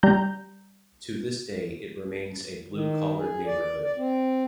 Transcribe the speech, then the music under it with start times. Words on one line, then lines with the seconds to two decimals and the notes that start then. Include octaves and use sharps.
To this day it remains a blue collar neighborhood.
0.03 G3 A#5 G6
2.72 D#3
3.19 G#4
3.47 D5
3.84 D5
3.97 C4